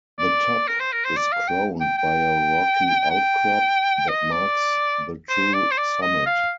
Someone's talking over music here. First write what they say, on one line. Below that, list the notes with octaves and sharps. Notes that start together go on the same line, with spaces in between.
The top is crowned by a rocky outcrop that marks the true summit.
D5
A#4
C5
A#4
C5
D5
F5
G5
G5
G5
G5
D#5
D5
C5
D5
C5
D5
D#5
F5